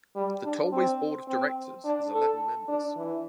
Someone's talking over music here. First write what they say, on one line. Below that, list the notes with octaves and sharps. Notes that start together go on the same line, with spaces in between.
The Tollway's board of directors has eleven members.
G3
D4
C4
C4
D4
A4
D4
E3